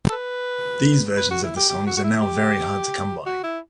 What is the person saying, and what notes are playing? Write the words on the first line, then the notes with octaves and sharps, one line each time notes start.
These versions of the songs are now very hard to come by.
A4
B4
B4
F#4
E4
G4
G4
F#4
F#4
E4
G4
F#4
E4